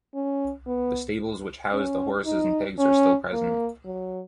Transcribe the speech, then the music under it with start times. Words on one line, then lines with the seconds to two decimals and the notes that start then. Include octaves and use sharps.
The stables which housed the horses and pigs are still present.
0.14 C#4
0.67 B3
1.73 C#4
2.26 D#4
2.79 C#4
3.33 A#3
3.85 F#3